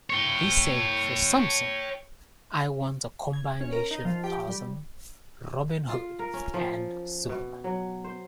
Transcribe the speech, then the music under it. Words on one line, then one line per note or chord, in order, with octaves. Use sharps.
He said, For Samson, I want a combination Tarzan, Robin Hood, and Superman.
C#5 G5
G#6
C#4
A#4
D#4
F3
G4
G3
F4
A#4
C#4
F3
B2
F#3
C5